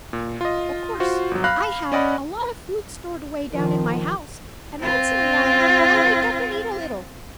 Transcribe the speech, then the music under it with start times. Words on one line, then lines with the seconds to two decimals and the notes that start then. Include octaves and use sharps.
Of course I have a lot of food stored away down in my house, and once in a while I wake up and eat a little.
0.13 A#2
0.41 F4 D#5
1.00 F4 F#4 C5
1.31 G1 F#3
1.44 F5 B5 F6 F#6 A#6
1.92 C#4 D5 D#5 F#5 B5
3.52 D#3 F3
4.81 C4 F4